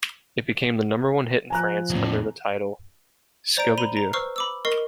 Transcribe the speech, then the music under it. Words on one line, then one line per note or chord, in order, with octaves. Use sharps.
It became the number one hit in France under the title Scoubidou.
F3 G#5 A#5 F#6
E2 A2
C5 D5 A#5 G6 D7
A#5 B5 D#7 G7
A#5
B4 C5 C#6 E6 F6 C7
B5 D6 E6
A#4 D#5 C#6 C7